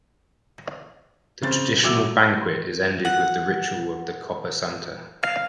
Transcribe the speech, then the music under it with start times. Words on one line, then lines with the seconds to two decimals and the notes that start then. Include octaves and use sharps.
The traditional banquet is ended with the ritual of the "Copa Santa".
1.42 C#3 C4 A6
1.83 A2 F#3 E4 D6 E6 F7
3.05 F#5
5.23 F5